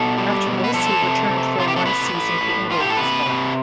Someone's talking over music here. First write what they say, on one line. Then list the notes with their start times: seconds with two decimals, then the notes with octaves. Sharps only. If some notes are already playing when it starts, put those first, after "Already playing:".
After this he returned for one season to Ingolstadt.
Already playing: B2 A4
0.18 G3
0.46 B2
0.64 B4
0.73 F3 A4
1.02 C3
1.29 C3
1.58 C3 F4
1.68 G4
1.76 A4
1.85 A2 B4
2.14 A2
2.41 A2
2.70 A2 F4
2.80 G4
2.89 A4
2.97 C3 B4
3.26 C3